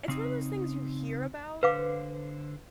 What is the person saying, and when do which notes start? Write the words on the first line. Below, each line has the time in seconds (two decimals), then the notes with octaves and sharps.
it's one of those things you hear about,
0.08 C#3 C4 D#4
1.63 D3 B4 C5 F5 D6